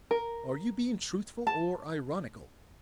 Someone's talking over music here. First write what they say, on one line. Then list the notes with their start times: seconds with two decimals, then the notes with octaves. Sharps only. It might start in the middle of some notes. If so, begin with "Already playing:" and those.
Are you being truthful or ironical?
0.11 A#4
1.47 A5